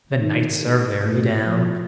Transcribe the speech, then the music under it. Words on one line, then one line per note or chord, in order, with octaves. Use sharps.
"The nights are very damp!"
D#3
A1
A2
F3